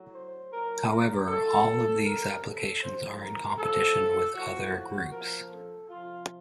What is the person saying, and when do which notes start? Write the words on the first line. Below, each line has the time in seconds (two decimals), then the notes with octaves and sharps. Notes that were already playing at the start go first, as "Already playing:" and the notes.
However, all of these applications are in competition with other groups.
Already playing: A2 F#3
0.14 C5
0.51 A#2 F#3 A#4
0.90 A#4
1.28 A#2 F#3 A4
2.04 C3 D#3 F#3 A#4
2.43 A4
2.82 A2 F3 C5
3.20 A#4
3.58 A2 F3 A4
4.34 A2 F3 F#4
4.74 F#4
5.11 A#2 F3 A#4
5.50 A4
5.89 C3 F3 F4